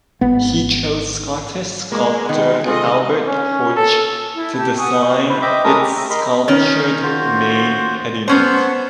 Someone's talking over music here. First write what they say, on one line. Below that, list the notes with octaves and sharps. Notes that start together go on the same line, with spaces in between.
He chose Scottish sculptor Albert Hodge to design its sculptured main pediment.
G#1 B3
G#3 A#3
D#3 B3
C3 G#3 F4 G#4 A4 D#5
C#4
A4
E4
G4 A5 E6
F#5 G#5 C#6 D#6
E4 B4 C5
D#5 E5 G5 B5 D6
G#3 A3 C#4 D4 A#4 D#6
G4
E5 A#5
A#4 D#5 B5 C6
D#3 C#4
F4 F#4 C5
B3 C#4 C5 F#5 A5 C#6